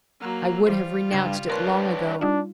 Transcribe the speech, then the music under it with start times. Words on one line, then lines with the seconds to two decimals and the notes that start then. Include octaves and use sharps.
I would have renounced it long ago.
0.21 F#3 A#3
0.67 E3 G3 F4 C5
1.11 G2 C#3 G#6 E7
1.50 D4 A#4 B4 C#5 C6 F#6
2.21 G3 D4 D#4 F4